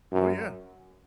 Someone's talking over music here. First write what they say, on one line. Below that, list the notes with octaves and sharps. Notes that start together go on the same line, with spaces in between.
Oh, yeah.
F#2